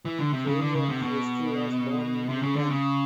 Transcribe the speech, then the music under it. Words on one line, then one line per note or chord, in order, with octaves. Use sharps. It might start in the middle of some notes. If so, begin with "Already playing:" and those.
Juliana Westray was born in England.
E3
D3
C3
C#3
D3
C#3
C3
B2
C3
C#3
D3
C#3